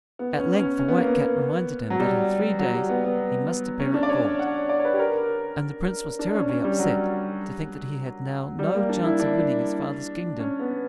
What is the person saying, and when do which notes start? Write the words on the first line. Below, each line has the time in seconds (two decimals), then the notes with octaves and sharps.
At length the White Cat reminded him that in three days he must appear at court, and the Prince was terribly upset to think that he had now no chance of winning his father's kingdom.
0.19 B3
0.39 C#4
0.59 C#4
0.79 C#4
0.88 B3
0.98 A#3
1.07 B3
1.90 F#3
2.00 G3
2.59 F#3
2.75 G3
2.89 B3
3.04 B3
3.79 C#4
3.94 D4
4.03 D5
4.09 C#5
4.24 D5
4.39 F#5
4.69 D5
4.79 C#5
4.85 B4
4.94 G4
4.99 A#4
6.19 D4
6.34 C#4
6.49 C#4
6.64 G3
6.79 F#3
8.59 G3
8.74 A#3
8.89 D4
9.04 E4
9.20 D4
10.40 C#4
10.60 B3